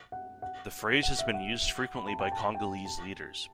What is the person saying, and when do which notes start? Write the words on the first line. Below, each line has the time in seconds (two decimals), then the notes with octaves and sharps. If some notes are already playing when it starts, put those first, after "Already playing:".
The phrase has been used frequently by Congolese leaders.
0.12 F#5
0.42 F#5
1.03 F#5
1.19 E5
1.34 F#5
1.95 B5
2.07 A5
2.20 G5
2.32 A5
2.55 G5
2.85 A5